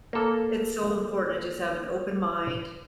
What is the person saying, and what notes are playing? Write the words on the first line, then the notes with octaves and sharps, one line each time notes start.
it's so important to just have an open mind,
A#3 A4